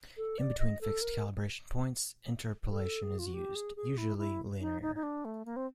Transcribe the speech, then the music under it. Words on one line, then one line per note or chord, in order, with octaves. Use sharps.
In between fixed calibration points, interpolation is used, usually linear.
A4
D5
D#5
A4
A#4
A4
G#4
F4
F#4
G4
G#4
G#4
E4
E4
D#4
D#4
D#4
D4
A3
A#3
C4